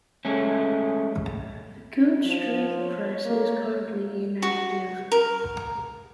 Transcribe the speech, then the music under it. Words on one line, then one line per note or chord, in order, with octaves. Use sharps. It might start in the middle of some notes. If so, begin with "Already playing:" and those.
The Coode Street Press is currently inactive.
G#3 A3 C#4
F3
C#5
A#3
F#4
A#4